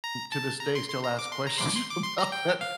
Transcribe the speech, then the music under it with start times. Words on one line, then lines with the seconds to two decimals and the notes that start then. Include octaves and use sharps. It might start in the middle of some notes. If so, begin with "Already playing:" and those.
to this day, still ask questions about that
0.04 A#5
0.32 A5
0.60 A#5
0.75 C6
0.90 C6
1.04 A#5
1.19 D6
1.32 C6
1.47 A#5
1.57 C6
1.61 D6
1.76 C6
1.90 D6
2.04 C6
2.18 A#5
2.32 G5
2.61 F5